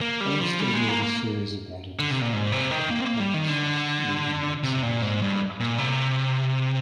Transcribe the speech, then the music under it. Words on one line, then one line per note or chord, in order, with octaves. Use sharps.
Olmsted wrote a series about a discredited hypothesis linking vaccination to autism.
A#3
G3
F3
G3
G#3
A#3
A#3
D3
C3
A#2
G#2
C3
D#3
A#3
C4
A#3
G3
D#3
D3
C3
A#2
G#2
G2
A#2
C3